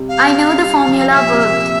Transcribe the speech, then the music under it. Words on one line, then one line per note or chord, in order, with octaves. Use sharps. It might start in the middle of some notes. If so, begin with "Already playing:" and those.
I knew the formula worked.
Already playing: C3 G3
F5
G3
F3
F5
A#2 E5
C3
A#2